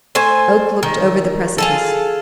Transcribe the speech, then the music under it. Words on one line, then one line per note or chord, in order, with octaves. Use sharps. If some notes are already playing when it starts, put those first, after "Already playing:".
Oak looked over the precipice.
A3 C5 G#5
D#3
F4 G#4 A4